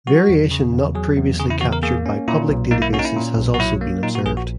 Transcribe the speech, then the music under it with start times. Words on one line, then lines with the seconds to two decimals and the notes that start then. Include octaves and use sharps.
Variation not previously captured by public databases has also been observed.
0.07 F#3 F#4
0.29 E2
0.51 C#3
0.73 E2
0.95 F#3 G#4
1.17 E2
1.39 C#3 G#4
1.50 E4
1.61 E2 F#4
1.73 A#4
1.83 A#3 G#4
2.06 C#4
2.28 A#2 E4
2.49 B1
2.71 A#3 D#4
2.82 E4
2.93 C#4 F#4
2.99 D#4
3.05 E4
3.16 A#2
3.38 B1
3.54 F#4
3.59 F#3 E4
3.81 A#3
4.03 A#2 D#4
4.15 F#4
4.25 A#1 G#4
4.37 F#4